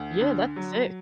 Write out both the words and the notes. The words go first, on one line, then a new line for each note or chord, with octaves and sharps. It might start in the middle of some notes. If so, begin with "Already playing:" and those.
Yeah, that's sick.
Already playing: D2
D3
F#3